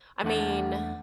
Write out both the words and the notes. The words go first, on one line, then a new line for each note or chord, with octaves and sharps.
I mean,
E2 A3 D4 F#5 A5